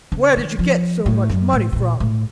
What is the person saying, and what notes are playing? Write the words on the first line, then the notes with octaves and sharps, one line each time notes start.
'Where did you get so much money from?'
C#3
D#3
F3
A2
F#2
A2
C3
A#2
A2